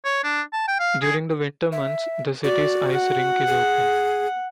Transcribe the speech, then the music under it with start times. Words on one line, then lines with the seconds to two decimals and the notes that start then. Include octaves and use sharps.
During the winter months the city's ice rink is open.
0.05 C#5
0.24 D4
0.53 A5
0.68 G5
0.80 F5
1.02 G#4
1.72 E5
2.44 F#4 D5
2.92 F#5
3.47 G#4